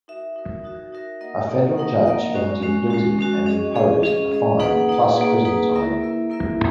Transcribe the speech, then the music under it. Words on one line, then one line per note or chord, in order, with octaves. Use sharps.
A federal judge found him guilty and imposed a fine plus prison time.
D#4 F#4 A#4 E5
D#4 F#4 A#4 E5
D#4 F#4 A#4 E5
D#4 F#4 A#4 E5
A#3 D#4 A#4 D#5 F#5
A#3 D#4 A#4 D#5 F#5
A#3 D#4 A#4 D#5 F#5
A#3 D#4 A#4 D#5 F#5
G#3 C#4 F#4
G#3 C#4 F#4
G#3 C#4 F#4
G#3 C#4 F#4
C#4 G#4 D#5
C#4 G#4 D#5
C#4 G#4 D#5
C#4 G#4 D#5
A#3 D#4 G#4 B4 F#5
A#3 D#4 G#4 B4 F#5
A#3 D#4 G#4 B4 F#5
A#3 D#4 G#4 B4 F#5
A#3 E4 A#4 E5
A#3 E4 A#4 E5
A#3 E4 A#4 E5